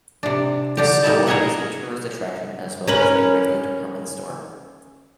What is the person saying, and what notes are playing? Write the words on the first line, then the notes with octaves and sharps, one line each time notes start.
The store is a tourist attraction as well as a regular department store.
C3 D4
D3 D4 G4
G3 D#4 E4 A4
G#4 A#4 C#5 D#5 E5 F#5
C#4 A#4 B4